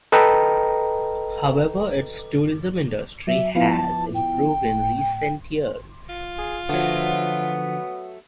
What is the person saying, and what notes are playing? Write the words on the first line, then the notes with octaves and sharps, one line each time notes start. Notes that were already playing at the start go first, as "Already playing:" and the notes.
However, its tourism industry has improved in recent years.
A4 B4 D#5 G5 A#5
F#3 E5
F3 B3 E4 F5
A5
G5
A2
F4
G#4
D3 F3 F#3 A3 B3